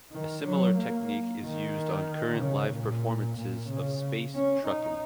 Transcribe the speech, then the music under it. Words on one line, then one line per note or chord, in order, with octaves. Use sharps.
A similar technique is used on current live performances of "Space Truckin'".
D#3
F#3
A#3
D#3
C#3
A#2
A#2
C#3
C#4
D#4